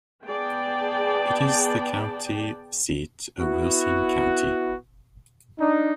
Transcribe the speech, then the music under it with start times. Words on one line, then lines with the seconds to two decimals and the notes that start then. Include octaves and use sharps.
It is the county seat of Wilson County.
0.25 B3 G#4 D5 G5 A5
3.39 B3 E4 F#4
5.59 D4 D#4